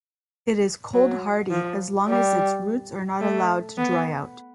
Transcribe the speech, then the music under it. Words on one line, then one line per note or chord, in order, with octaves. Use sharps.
It is cold-hardy as long as its roots are not allowed to dry out.
F#3
F3
G3
A3
B3